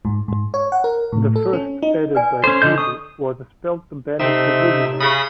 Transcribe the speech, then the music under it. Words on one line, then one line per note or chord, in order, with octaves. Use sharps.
The first, added by Phoebe, was a spell to banish the Woogyman.
G#2
G#2
C#5
F#5
A#4
A2
A4
C#4
D#4
B4 D5 G#5
C#4 A4 C5
D3 A4 D#5 G6
C#6 D#6
C3 A3 C4 D#4 E5
C#3 B5 D#6